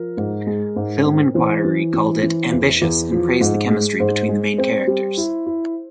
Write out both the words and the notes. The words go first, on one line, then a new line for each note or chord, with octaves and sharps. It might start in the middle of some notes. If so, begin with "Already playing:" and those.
Film Inquiry called it "ambitious" and praised the chemistry between the main characters.
Already playing: F3 A#4
G#2
G#3
G#2
C4
E3 C5
E3
E3
E3
E2
E2
F3
G#2
G#3
G#2 C5
G#3
C4
G3
E4
E4